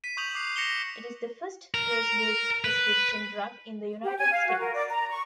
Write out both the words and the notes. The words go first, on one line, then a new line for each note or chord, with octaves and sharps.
It is the first race-based prescription drug in the United States.
B6 D#7
C#6 D#6 G6 F7 F#7
D6 F#6 C7
A#6 C#7 E7 F7 G7
A#4
B4
G4
G#5
F5
F#4
A#4
D5
A#5
C#6